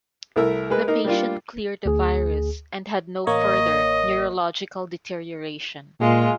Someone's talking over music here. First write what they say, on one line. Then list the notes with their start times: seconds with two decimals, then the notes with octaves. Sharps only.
The patient cleared the virus and had no further neurological deterioration.
0.36 C2 A3 E4 A#4 E5 E6
0.70 G#3 A#4 B4
0.87 A#3 D#4 A#4
1.05 G3 A#3 D4 F4
1.86 D2 G#4
3.27 A1 A#3 C#5 D#5
6.00 A#2 G#3 F4